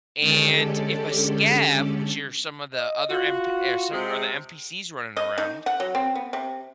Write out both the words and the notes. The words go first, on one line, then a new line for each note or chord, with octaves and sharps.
And if a Scav, which are some of the other NP eh, are some are the NPCs running around
D3 G#3 C#4 G4 A4 D5
D#5
F4 F#4
C3 G#3
D#5
D#4
F#5
F#3
C4
B3
C3